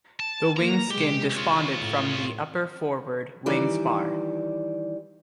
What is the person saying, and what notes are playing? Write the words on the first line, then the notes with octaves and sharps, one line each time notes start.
The wing skin disbonded from the upper forward wing spar.
A5
A#3 A#5
C3 G#3 G4
F4 C#5
A2
D#3 E3 G3 D5